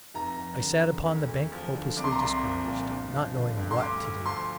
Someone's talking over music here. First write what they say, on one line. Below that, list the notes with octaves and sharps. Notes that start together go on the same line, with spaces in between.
I sat upon the bank hopelessly discouraged, not knowing what to do.
F1 A#5
F1
D3
E2
D2
D2
F3
D3
C2 D6
C6
A#5
C2 C6
F3
A#2
G1
F3
D3
G2
C6
D2 D6
D2
F3 C6